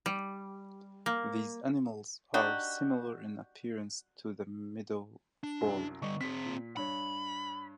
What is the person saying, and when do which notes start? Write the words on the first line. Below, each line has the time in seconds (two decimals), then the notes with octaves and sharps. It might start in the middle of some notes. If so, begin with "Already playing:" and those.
These animals are similar in appearance to the meadow vole.
0.06 G3
1.06 A#3
2.34 D4 D#4 F#4 G4
5.44 D4
5.61 C2 F#2
6.02 D3 G3 D#5 C#6
6.21 C4 G#4 B6
6.46 A#2
6.77 G2 C#5 B5